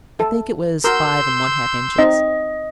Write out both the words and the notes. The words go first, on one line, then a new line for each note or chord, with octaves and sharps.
I think it was five and one-half inches.
A4
F#4 A#4 C6 E6 G6
C4 D#4 D#5